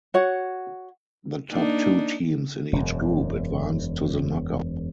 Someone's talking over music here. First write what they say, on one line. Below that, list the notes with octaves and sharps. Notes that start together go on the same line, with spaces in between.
The top two teams in each group advanced to the knockout stage.
F#4 C#5 F#5
A#3 D4 D#4
E1 F#2